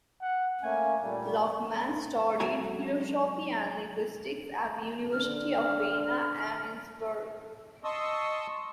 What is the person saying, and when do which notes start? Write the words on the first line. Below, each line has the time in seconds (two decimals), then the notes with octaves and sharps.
Luckmann studied philosophy and linguistics at the University of Vienna and Innsbruck.
0.21 F#5
0.63 A3 A#3 C#4 G#5
1.01 A#2 G3 A3
2.40 F#3 G#3 A4 E5 G#5 A#5
5.12 D3 F6
7.84 D#5 A5 C6 C#6 D#6 E6